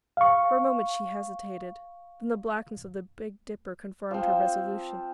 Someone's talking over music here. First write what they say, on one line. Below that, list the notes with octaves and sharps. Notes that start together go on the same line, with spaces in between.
For a moment she hesitated, then the blackness of the Big Dipper confirmed her resolution.
F5 C#6
F3 C4